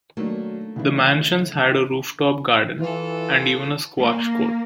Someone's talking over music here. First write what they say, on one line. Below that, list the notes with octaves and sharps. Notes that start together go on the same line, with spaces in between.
The Mansions had a roof top garden, and even a squash court.
D#3 F#3 A3 A#3 D4
C#3 E3 D4
E3 F4 A4
A#3